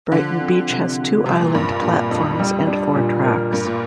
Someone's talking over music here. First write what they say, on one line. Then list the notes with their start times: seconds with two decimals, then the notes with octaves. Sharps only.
Brighton Beach has two island platforms and four tracks.
0.12 D3 F3
0.41 C4
0.69 C3
0.98 G4
1.25 C3 G3
1.40 A#2
1.53 G2 A#3
1.82 G2 A#2
2.10 F2 D4
2.39 F2 G3
2.67 D4
2.95 A#2
3.24 A#4
3.52 G2 A#3
3.65 A#2